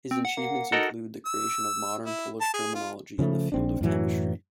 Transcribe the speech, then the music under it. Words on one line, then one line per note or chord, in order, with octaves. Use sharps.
His achievements include the creation of modern Polish terminology in the field of chemistry.
C4
F#5
A#3
D#4 F#4 A4 A#4
E6
E4
A5
G#4
F4
C#3 F3 G#3 A3
A#1 C4 D4
F#2 A2 E3 F#3